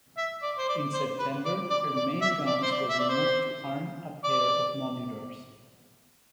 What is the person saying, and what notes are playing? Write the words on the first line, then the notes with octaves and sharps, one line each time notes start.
In September her main guns were removed to arm a pair of monitors.
E5
D5
C5
D5
C5
B4
D5
D5
D5
E5
D5
C5
D5
E5
D5
C5
D5